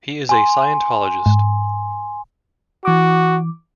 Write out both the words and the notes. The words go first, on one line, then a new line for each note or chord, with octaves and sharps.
He is a Scientologist.
G#5 C6
G#2
E3 F#4 D6